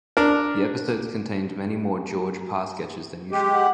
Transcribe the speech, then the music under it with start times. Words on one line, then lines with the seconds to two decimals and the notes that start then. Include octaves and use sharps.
The episodes contained many more George Parr sketches than usual.
0.17 D4 A#4
3.31 G#3 G4
3.54 F#5